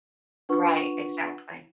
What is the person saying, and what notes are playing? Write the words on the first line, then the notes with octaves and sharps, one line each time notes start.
Right, exactly.
D4 F4 B4 F#5 C#6